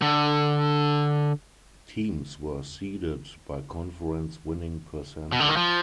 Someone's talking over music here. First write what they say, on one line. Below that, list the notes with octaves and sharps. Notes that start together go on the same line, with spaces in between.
Teams were seeded by conference winning percentage.
D3
B2
D3
D#3
F3